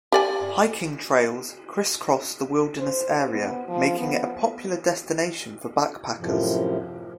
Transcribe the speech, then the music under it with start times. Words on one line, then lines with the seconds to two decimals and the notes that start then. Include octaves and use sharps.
Hiking trails crisscross the wilderness area, making it a popular destination for backpackers.
0.12 G4 D5 G#5
2.79 C5
3.31 B3
3.68 F3
3.99 B3
6.19 F#2 A2 C3 F3